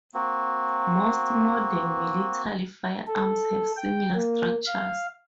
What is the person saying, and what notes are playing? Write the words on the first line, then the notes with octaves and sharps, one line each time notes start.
Most modern military firearms have similar structures.
A#3 C4 F#4
A4
G5
A#3
F5